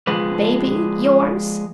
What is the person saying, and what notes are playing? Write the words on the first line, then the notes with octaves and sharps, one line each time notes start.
"Baby yours?"
F3 G#3 B4